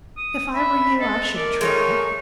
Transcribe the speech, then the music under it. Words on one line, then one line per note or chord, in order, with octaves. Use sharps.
If I were you, I should try.
D#6
E5 B5
A4 D#5
A#4 D5
G#3 A3 D#4 C#5